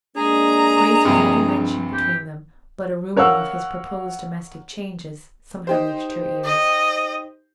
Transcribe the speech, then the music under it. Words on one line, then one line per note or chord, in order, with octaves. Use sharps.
Grace was never mentioned between them, but a rumor of his proposed domestic changes somehow reached her ears.
G#3 A#3 D4 G#4 A#5
A#1 G2 C3
G4
A#4 C#5 F5 F#5 E6
D#4 G4 C5
D#5